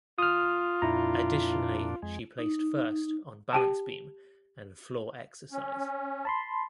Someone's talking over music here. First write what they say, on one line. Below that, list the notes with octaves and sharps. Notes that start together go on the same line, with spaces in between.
Additionally she placed first on balance beam and floor exercise.
F4 D#6 F6
F2 A#2 D4 E4 A#5
F2 G#3
D#4
G4 G5 A5
C#4
A5 B5 C6